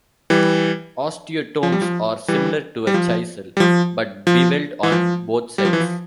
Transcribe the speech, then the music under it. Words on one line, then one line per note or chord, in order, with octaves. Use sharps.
Osteotomes are similar to a chisel but bevelled on both sides.
E3 G3
F3
G3
F3
E3 G3
G3
F3
G3
F3
F3
E3
F3
G3
F3
E3
F3